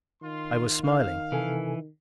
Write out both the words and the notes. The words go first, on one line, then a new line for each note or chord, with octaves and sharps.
I was smiling.
D#3 F4 C6
F5
C3 E3 A4 G#5